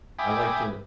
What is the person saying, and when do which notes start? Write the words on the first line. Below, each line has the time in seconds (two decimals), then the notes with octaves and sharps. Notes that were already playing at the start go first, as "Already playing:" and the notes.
I like to
0.19 E5 G5 G#5 B5 D6 D#6